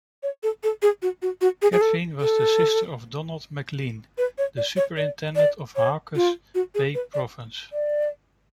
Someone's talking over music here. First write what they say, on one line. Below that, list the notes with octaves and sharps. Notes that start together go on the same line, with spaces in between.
Catherine was the sister of Donald McLean, the Superintendent of Hawke's Bay Province.
C#5
A4
A4
G#4
F#4
F#4
F#4
G#4
G#4
A4
A4
B4
C#5
D5
C#5
D5
D5
C#5
F4
F#4
G#4
B4
D5
D5